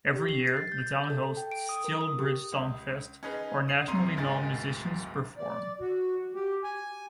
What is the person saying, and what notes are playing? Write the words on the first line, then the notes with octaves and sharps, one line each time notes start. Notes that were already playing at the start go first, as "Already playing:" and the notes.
Every year, the town hosts "Steel Bridge Songfest," where nationally known musicians perform.
G4
C7
A6
G6
A4
A4
G5
D7
D#6
A#4
D#6
G4
C#2
C#4 D#4 G#4 B4
D#6 C7
G#1 C3 A#5 C6 D#7
D1 G1 G#2 D#3 G#4 A6
D5
F#4
G4
G#5